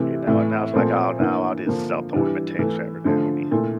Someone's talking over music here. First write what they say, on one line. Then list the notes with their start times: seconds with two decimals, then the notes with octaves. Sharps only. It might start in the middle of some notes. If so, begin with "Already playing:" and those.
you know, and now it's like, "Oh, no, I'll just I'll throw him a text every now and then."
Already playing: C3 E3 A3
0.27 A2 E3 A3 E4
0.74 A#2 F3 A3 C4
1.20 E3 A#3 D4
1.66 D3 F3 A#3 D4
2.13 E3 G3 D4
2.59 E3 A3 E4
3.05 D3 F3 A3
3.51 A#2 A3 E4